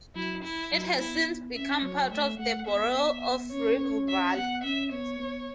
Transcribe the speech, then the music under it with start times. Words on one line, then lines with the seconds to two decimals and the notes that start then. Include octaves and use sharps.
It has since become part of the borough of Ribble Valley.
0.15 F#3 E4
0.43 E4
0.72 F#3
0.99 B3 E4
1.55 C#4 E5
1.83 F#3 C#5
2.11 A3 E5
2.39 A3 F#5
2.67 B3 E5
3.51 C#4 C#5
4.08 E5
4.35 B3 F#5
4.64 C#4 E5
4.91 B3 C#5
5.20 B3